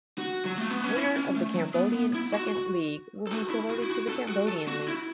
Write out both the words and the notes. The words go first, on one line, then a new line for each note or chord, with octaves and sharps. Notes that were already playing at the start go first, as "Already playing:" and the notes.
Winner of the Cambodian Second League will be promoted to the Cambodian League.
F#4
F#3
A3
B3
C#4
E4
C#4
A3
F#3
B3
B3
E4
F#4
A4
F#4
E4
F#4
E4
F#4
A4
F#4
A4
F#4
E4